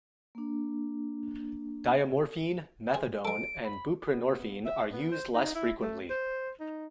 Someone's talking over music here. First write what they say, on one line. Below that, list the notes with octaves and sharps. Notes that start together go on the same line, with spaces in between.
Diamorphine, methadone and buprenorphine are used less frequently.
A#3 D4
C4 G#4
G#3 A4 D7
B5
B3
E5
B3
C5
D#4
E4
A3
C5
D#4